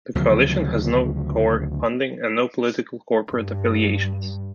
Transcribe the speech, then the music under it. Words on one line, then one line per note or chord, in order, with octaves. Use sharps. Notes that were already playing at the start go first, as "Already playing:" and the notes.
The Coalition has no core funding and no political or corporate affiliations.
D2 C#3 F3 F#3
G2